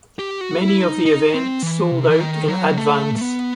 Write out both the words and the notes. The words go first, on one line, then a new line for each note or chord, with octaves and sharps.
Many of the events sold out in advance.
G4
F#4
E4
D#4
D#4
C4
E3
C3
E3
D#3
F#3
A3
A3
B3